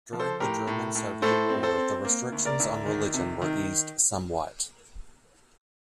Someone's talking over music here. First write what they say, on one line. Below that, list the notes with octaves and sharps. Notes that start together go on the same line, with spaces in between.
During the German-Soviet War, the restrictions on religion were eased somewhat.
F3
A4 C5
A2 G4 A#4
A2
A2
A2 A4 C5
C4
A4 C5
C4
A#3
D2
A#4 D5
D2
D#3
C3
D#3